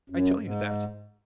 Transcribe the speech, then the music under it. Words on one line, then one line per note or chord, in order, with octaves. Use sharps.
I tell you that.
F#2
G#2